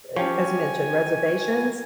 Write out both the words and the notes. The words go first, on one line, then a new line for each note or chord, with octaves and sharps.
uh, as you mentioned, reservations.
F3 C#4 G4 C#5 G#5